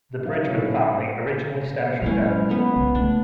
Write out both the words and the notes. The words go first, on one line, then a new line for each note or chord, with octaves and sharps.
The Bridgeman family originally stems from Devon.
E3 F#3 C#4 D#4 E5 F5
C#4 D#4 E4 A4 C#5
F#3 G#3 C#4 E4 F5
B3 B4 F5
B1 C#3
A3 B3 D4